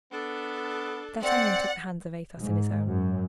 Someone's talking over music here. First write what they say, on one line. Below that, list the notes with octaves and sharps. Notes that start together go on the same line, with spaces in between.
D'Artagnan took the hands of Athos in his own.
B3 D4 A4
C4 D5 F#5 C#7
G#2
F#2